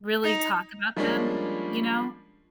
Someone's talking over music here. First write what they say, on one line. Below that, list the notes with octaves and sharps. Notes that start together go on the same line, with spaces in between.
really talk about them, you know?
D#4
F3 G3 G#3 A#3 C#4 D4